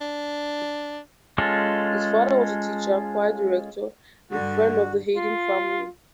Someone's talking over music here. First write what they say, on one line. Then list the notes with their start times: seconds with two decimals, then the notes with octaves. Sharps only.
His father was a teacher, choir director and friend of the Haydn family.
0.01 D4
1.38 G#3 C#4 F4 A4
4.31 G2 D3 F#4
5.13 F4